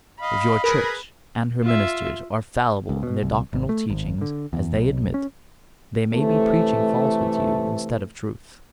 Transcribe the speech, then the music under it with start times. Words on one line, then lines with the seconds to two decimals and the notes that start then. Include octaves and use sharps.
If your church and her ministers are fallible in their doctrinal teachings, as they admit, they may be preaching falsehood to you, instead of truth.
0.21 D#5 F5 B5
0.64 G#4 A#4 B4
1.63 F4 E5
2.89 C#2
3.03 B2
3.22 C2
3.53 G#1
3.69 A3
3.90 G#1
4.21 D3
4.53 E2
4.76 B1
5.14 C#4
6.13 C3 E3 A3